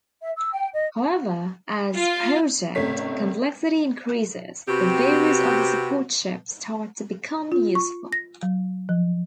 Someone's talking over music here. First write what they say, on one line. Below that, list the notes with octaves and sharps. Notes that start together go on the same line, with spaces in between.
However, as project complexity increases, the various other support chips start to become useful.
E5
E6
G5
D#5
F4
G#1 C#2 C3 A3 C#5 B6
C3 B3 C4 F#4 G4
F4
C#6
A#6
F#3
F3